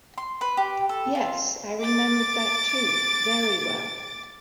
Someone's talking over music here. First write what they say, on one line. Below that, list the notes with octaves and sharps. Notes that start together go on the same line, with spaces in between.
Yes, I remembered that too, very well.
C6
B4
G4
A4
F4
D6 A6